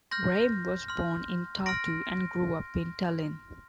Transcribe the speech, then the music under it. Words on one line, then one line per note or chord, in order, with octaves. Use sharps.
Reim was born in Tartu and grew up in Tallinn.
C6 F6 G6 A#6
C6 F6
C6 F6 A#6 D7